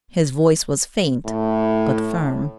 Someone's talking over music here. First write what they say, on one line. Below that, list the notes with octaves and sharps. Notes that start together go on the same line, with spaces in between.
His voice was faint but firm.
A2